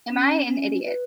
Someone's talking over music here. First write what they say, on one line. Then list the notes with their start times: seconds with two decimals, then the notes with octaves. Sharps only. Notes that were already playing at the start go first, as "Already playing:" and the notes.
Am I an idiot?
0.10 C#4
0.47 C#4
0.83 B4